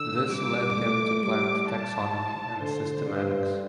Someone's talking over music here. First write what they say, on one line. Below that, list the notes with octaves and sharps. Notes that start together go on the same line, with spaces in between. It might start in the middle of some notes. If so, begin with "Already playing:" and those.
This led him to plant taxonomy and systematics.
Already playing: D3 E6
G3 D6
A3
G3 D6
A5
D3 C5
G2